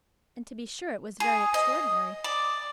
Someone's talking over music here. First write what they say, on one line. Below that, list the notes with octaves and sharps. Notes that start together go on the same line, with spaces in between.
And to be sure it was very extraordinary.
G#4
D#5
D5